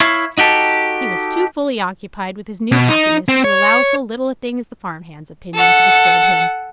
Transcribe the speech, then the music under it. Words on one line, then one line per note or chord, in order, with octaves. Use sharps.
He was too fully occupied with his new happiness to allow so little a thing as the farm-hand's opinion to disturb him.
E4 C#5 E5 F5
D#4 F#4 G4 A4
B2
D#4
C4
C#5
A4 F#5